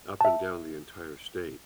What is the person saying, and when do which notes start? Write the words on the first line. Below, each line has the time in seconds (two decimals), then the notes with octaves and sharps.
up and down the entire state.
0.21 E5 A5